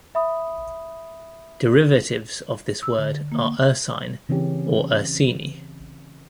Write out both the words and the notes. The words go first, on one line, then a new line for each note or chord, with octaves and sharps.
Derivatives of this word are ursine or Ursini.
E5 B5 D#6
E6
D3
A#3
C#3 E3 C4 C#4 G4